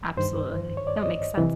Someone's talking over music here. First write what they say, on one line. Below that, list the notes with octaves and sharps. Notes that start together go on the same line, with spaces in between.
Absolutely, no, makes sense.
G2 D#3 C5
C#5
D5
D#5
C3 E3